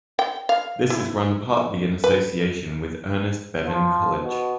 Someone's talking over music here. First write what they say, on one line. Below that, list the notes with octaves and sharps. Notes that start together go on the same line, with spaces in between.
This is run partly in association with Ernest Bevin College.
G5
F5
E4
B4
F3
B2